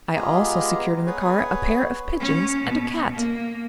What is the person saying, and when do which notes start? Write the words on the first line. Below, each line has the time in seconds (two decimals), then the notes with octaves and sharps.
I also secured in the car a pair of pigeons and a cat.
0.16 G#3 B3 F4 G4 G#4 A#5
1.06 B3 G#4 B4 C#5
2.19 C#4
2.64 B2
3.12 A#3